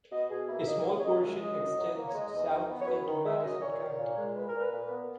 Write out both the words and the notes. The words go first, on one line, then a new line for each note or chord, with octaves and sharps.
A small portion extends south into Madison County.
B2 D#5
B2 G#4
A#3 E4
E5
C#3 D#5
C#3 C#5
C#5
F#2 D#5
G#3 E5
F#2 D#5
F#2
F#3
A#3
C#5
G#3 D#5
E2 D#5
D#3 D#5
B3
C#5
F#2 B4
D#3
G#3 E5
F#2 D#5
A#2 C#5
A#2
A#2
G#3
A#2 B4
A#4
A#2
B4
A#2
B3